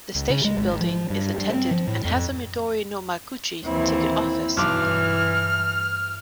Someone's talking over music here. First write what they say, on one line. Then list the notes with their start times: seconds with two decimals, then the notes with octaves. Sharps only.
The station building is attended and has a Midori no Madoguchi ticket office.
0.15 C#2
0.30 C#3
0.44 G#3
0.56 G#1
0.81 F3
1.10 G2
1.38 G2
1.54 C4
1.71 F3
1.87 A2
2.05 F2
3.65 D#2 E3 C4 E4
4.57 B1 G2 E3 D6 F6